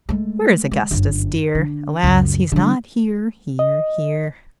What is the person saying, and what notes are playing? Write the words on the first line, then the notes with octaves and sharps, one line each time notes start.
'Where is Augustus dear? Alas! he's not here, here, here.'
G#3 A3
G#3
G1 F#2
D3
C#2 F#2
D3 G3
D#5